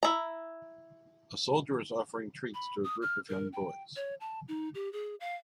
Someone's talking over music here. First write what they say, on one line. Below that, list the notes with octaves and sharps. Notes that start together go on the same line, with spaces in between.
A soldier is offering treats to a group of young boys.
E4 A#5
B5
D#6
F6
A#4
G5
C#5
A5
D#4
G4
G#4
F5